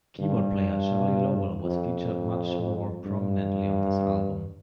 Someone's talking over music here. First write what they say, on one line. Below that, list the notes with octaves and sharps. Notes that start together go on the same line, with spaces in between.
Keyboard player Charlie Lowell was featured much more prominently on this album.
G2
F2
G2